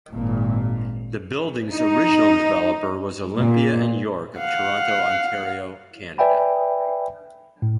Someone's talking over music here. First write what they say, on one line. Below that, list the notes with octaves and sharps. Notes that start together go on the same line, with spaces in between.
The building's original developer was Olympia and York of Toronto, Ontario, Canada.
G#1 A#2
D#4
A#2
F5 F#5
B4 D5 E5 G5 G#5 B5
A2